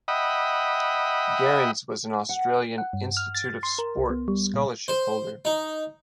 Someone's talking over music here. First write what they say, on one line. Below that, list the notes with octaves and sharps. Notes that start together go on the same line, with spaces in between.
Gerrans was an Australian Institute of Sport scholarship holder.
D#5 E5 F#5 G5 B5 D#6
F#5
F#5
G2
F6
A6
C6
A#4
C2
B3
G3
A#2
C5
D#4